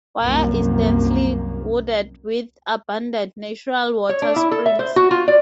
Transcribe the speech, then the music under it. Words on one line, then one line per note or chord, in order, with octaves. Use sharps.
Waya is densely wooded with abundant natural water springs.
C2 F#2 A#3
C#5
D4
E4
A4
E5
C5
F#4
F4
D5